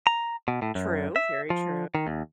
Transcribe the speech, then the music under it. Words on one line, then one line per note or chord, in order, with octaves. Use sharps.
True. Very true.
A#5
B2
A2
F#2
E5
F3
D#3
D#2